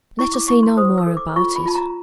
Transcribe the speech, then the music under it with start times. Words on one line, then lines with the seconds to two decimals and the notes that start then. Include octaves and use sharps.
Let us say no more about it.
0.19 E4 C#6
0.34 D6
0.48 E4 C#6
0.63 C6
0.77 C5 D#6
0.98 E6
1.07 A4
1.17 D6
1.36 F4 C#6
1.56 B5
1.66 F4 A5
1.75 A#5